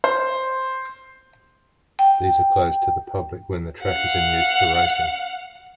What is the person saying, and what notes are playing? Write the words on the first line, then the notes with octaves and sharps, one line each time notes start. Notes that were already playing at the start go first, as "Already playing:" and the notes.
These are closed to the public when the track is in use for racing.
C5
G5
F5 F#5